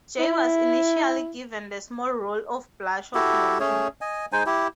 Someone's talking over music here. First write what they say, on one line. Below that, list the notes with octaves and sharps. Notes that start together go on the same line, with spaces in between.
Jay was initially given the small role of Blush-of-Morning.
E4
E4 F#4 G4 A4
A3 C#4 G#4 C#5
D#5 G#5
G#3 D#4 C5 G#5
E4 G4